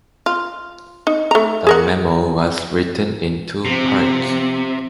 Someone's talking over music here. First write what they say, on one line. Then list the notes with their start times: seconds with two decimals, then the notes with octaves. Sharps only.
The memo was written in two parts.
0.26 F4
1.07 D#4
1.31 A3 A#5
1.67 G#4 A#4 F#5
3.65 C3 F3 C4